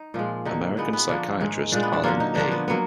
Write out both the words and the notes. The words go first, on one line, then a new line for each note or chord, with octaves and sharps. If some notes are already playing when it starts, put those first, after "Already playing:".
American psychiatrist Alan A.
Already playing: D#4
A#2 F3 G#3 F4
D3 F#3 A#3 D#4
A#2 G#3 B3
B3
D3 F3 A#3 D4
G#2 D#3 G#3
A#2 G#3 D4
B3
D4
D3 F#3 A#3 F4
D#4
D3 F3 A#3 D4
B3
F#3 A#3 B3